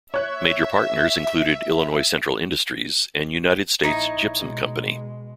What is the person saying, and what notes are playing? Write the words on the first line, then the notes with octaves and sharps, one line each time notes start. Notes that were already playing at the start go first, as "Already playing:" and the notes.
Major partners included Illinois Central Industries and United States Gypsum Company.
C#5 E5 F#6
A#1 D#4 E4 C#5 D#5
B2 G#3